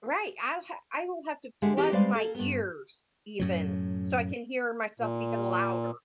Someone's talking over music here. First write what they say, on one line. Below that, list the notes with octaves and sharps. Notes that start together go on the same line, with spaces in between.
Right, I'll ha I will have to plug my ears even, so I can hear myself even louder
D3 G#3 G4 G#4 E5 F#5
E3 C4 E4 G4 G#4 B4
G3 G#3 B4 C5 D5 F5
A#3 A4
G2 B3
F#2 A2 F#3
A#2